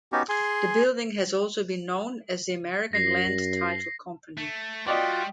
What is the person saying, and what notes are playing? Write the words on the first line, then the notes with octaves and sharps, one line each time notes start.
The building has also been known as the American Land Title Company.
B3 C#4 D#4 F#4 G4
G#4 G#5 C6
F#2 A#6 C7
A3
G3 F4 F#4 D5 D#5 G5